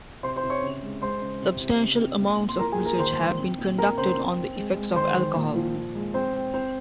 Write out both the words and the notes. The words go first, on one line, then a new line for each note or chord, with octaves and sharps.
Substantial amounts of research have been conducted on the effects of alcohol.
C3 C5 C6
C5 C6
C3
C#5 C#6
C#3
G#3
G#3 C5 C6
C#3
C3
C3
C#3
C4
A#2
A#2
C6
F3 A#4 A#5
G#4 G#5
A#2
A#4 A#5
D#3 C5 C6
G#3
C4
A#2
C4 A#4 A#5
C#3 C5 C6
C4
C4
G#3
G#3
D#3 C5 C6
D#3
A#2
F3
A#2
G#3
C4 C5
C4
C4 C5